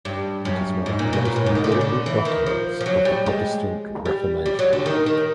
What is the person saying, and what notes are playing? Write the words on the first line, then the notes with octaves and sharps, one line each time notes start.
It is one of the most important documents of the Protestant Reformation.
G2
F#2
G#2
A#2
B2
A#2
A2
G#2
D#3
D3
C#3
D3
E3
D#3
F3
F3
F#3
G3
G#3
G3
G3
F#3
D3
D#3
D#3